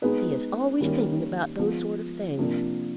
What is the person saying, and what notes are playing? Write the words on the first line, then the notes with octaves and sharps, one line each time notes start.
He is always thinking about those sort of things.
G#3 B3 D#4 G#4 B4
D#3 G3 A#3 C#4
F3 G#3 B3
C3 F3 A#3 D4